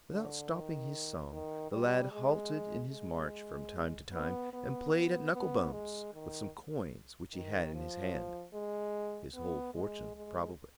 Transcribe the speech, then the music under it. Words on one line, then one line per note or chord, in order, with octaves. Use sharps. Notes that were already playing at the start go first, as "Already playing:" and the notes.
Without stopping his song, the lad halted in his march from time to time, and played at knuckle-bones with some coins which he had in his hand--his whole fortune, probably.
D3
D#3
D#3
G3
G#3
G#3
B3
B3
B3
B3
G#3
D#3
D#3
F3
G#3
B3
G#3
G#3